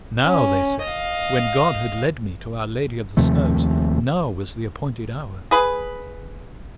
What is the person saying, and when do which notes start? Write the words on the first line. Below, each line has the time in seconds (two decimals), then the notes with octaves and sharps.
Now, they said, when God had led me to Our Lady of the Snows, now was the appointed hour.
0.24 C#4
0.83 D#5 F5
3.17 D#2 C3 F3 A3
5.51 G#4 B4